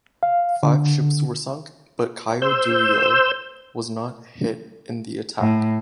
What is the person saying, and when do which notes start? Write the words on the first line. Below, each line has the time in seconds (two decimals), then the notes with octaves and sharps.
Five ships were sunk, but "Caio Duilio" was not hit in the attack.
0.23 F5
0.63 D3
2.42 C5 E6 G6
5.40 A2